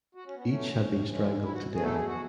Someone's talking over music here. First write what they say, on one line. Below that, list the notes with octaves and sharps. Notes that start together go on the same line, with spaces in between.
Each had been strangled to death.
F#4
C#4
B3
B2 F#3 A3 C#4
A2 E3 G#3 C#4
E4
F#4
E2 B2 F#3 A3 G#4
A4
G#4
F#4